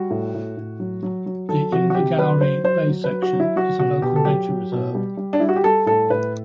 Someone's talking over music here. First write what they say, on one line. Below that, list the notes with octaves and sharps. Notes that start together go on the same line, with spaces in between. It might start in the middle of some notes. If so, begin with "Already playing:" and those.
The Invergowrie Bay section is a local nature reserve.
Already playing: G3 F#4
A2
A2
A2
F#3
F#3
F#3
F#3 A4
C3 F#4
F#4
C3 G4
F#3 B4
F#3 C5
F#3 C5
F#3
B4
F#3
F#4
F#3
E4
F#3 F#4
B2 F#4
B2 G4
A4
F#3 G4
F#3
B2
G3
G3
D4
G3 E4
F#4
G4
G3 A4
A2 A4
A2 B4